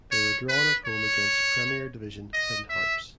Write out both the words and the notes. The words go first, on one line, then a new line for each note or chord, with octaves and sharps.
They were drawn at home against Premier Division Finn Harps.
C#5
B4
C#5
D#5
E5